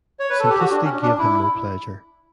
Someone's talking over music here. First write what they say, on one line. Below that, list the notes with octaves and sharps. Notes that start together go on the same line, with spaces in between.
Simplicity gave him no pleasure.
C#5
B4
A4
G4
F#4
D4
C#4
D4
E4